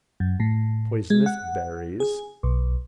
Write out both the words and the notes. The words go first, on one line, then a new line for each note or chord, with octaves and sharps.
Poisonous berries.
F#2
A2
G#3
F#5
G#4
B1